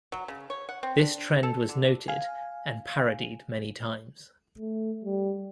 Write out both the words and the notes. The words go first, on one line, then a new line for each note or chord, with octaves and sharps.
This trend was noted and parodied many times.
F#3
C#3
C#5
F#5
C4
D4
A4
D3
F5 G#5
A3
G3